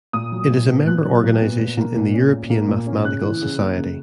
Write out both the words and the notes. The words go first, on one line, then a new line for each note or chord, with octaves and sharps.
It is a member organization in the European Mathematical Society.
A#2 D#6
F#3
A#2
B3
A#2 F#6
F#3
A#2
B3
A#2
A#3
A#2
C#4
A#2
A#3
A#2
C#4
C#3 F#6
E3
C#3
A#3
C#3